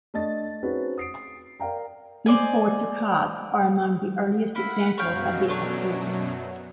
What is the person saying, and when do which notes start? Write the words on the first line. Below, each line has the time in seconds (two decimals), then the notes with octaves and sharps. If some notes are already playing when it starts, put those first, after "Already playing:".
These four "toccate" are among the earliest examples of the etude.
0.14 A3 D4 D#5 A5 A6
0.62 C4 C#4 D#4 F#4 G#4 B4
0.97 D#6 C7 D7
1.60 A#4 D5 F5 G5 A#5
2.26 C5 D5 D#5 G#5
4.55 A#3 E4 F#5 B5
4.98 F#2 B2 F#3 C#5 F5 G5
5.48 A3 D4 C#5